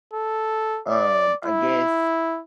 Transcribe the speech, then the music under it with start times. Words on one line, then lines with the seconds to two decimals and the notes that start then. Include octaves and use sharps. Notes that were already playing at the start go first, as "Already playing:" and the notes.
um, I guess
0.14 A4
0.90 D5
1.46 E4